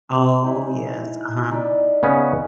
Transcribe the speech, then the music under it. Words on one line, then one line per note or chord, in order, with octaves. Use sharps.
Oh, yes, uh-huh.
G#3 D#4 E4
D#4 B4 D5
C#3 B3 C#4 G#4